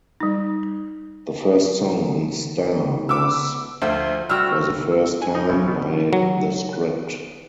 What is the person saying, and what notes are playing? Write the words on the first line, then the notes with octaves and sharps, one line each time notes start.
The first song on "Star" was "For the First Time" by The Script.
G3 D#4
B3 D6 E6
D2 F3 C5 E5
G3 F#4 G5 E6 F6
E6
G#5
D#4
B1
B2
F#3